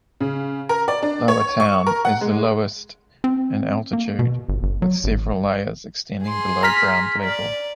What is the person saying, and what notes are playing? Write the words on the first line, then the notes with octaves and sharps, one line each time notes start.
Lower Town is the lowest in altitude, with several layers extending below ground level.
C#3
A#4
D5
D4
C#5
C#6
A#4
F#5
G#3
C4
A#3
B2
G1
G1
F#3
G#1
G#4 C6
A#5 F6 B6
D5